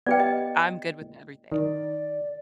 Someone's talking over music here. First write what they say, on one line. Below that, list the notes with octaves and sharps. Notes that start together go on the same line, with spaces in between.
I'm good with everything.
B3 G4 D5 F5 G5
D#5
D#3 D5